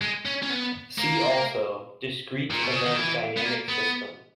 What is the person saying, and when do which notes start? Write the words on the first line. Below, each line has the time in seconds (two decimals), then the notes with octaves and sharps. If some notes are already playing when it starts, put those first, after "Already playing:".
See also, Discrete event dynamic system.
0.01 G#3
0.25 C#4
0.43 C#4
0.50 B3
0.98 A#3
2.50 A#2
2.62 B2
2.73 C#3
2.84 D#3
2.96 E3
3.37 B3
3.45 A#3
3.69 B3